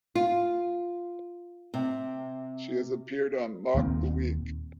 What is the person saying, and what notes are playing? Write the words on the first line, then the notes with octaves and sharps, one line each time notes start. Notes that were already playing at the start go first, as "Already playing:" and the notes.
She has appeared on "Mock the Week".
F4
C3
D#1 D#2 A#3 C4